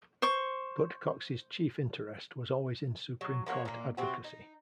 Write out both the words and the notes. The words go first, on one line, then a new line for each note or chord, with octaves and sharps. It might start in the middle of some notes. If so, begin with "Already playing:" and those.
But Cox's chief interest was always in Supreme Court advocacy.
C5 C#6
F#3
F3 A#3 F#4 C#5
A#2 A#3
C3 C4 F#4
D#4